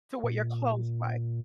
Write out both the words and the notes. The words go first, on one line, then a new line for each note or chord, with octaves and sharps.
to what your clothes like.
A#2